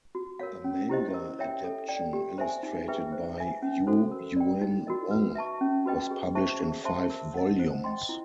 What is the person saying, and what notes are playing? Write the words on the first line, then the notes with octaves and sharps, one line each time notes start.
A manga adaptation illustrated by Yu Yuen Wong was published in five volumes.
F#4
A#4 C#5 F5
C#4
E4 G4 C5 D#5
A#4
C#5 E5 G5
A4
D5 G5
G4
C5 E5 G#5
D#4
G#4 B4 E5 G5
C5
E5 G#5
C#4
F#4 A4 C5
A#4
D5 G5
D#4
F#4 A#4 D#5
B4
E5 A5 C#6
C#4
F#4 B4 D#5 G5
G#4
C5 E5 A5 C#6
G#4
C5 E5 A5 C6
A#4
D#5 F#5
C5
D#5 G5 C6
E4